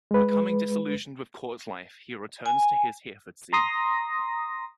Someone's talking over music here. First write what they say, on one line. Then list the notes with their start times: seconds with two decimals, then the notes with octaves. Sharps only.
Becoming disillusioned with court life he returned to his Hereford see.
0.11 G#3 B4
2.46 G#5
3.53 A#5 C6 D#6 A#6